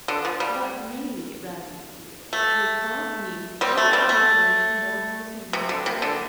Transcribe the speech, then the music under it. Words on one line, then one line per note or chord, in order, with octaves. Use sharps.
'But really, Radie, dear, you can't need any confirmation more than this evening affords.
D3
F3
G3
A3
G3 C4
A3
G3 C4
A3
C3
D3
C3
D3